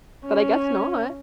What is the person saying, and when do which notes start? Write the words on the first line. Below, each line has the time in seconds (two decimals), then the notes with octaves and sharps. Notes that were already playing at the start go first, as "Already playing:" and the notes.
but I guess not.
0.26 C#4